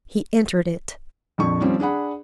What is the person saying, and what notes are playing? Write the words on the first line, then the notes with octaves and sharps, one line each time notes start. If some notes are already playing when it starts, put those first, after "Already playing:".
He entered it.
A#1 F2 C#6
D#3 F3 G3 C4 C#4
D4 G#4 F#5 B5